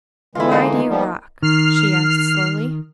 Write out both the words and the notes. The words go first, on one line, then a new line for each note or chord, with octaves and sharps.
"Why do you rock?" she asked slowly.
D3 E3 G#3 E4 F4
A#3 D#4
F3 G3 B3
D#3 F6 C7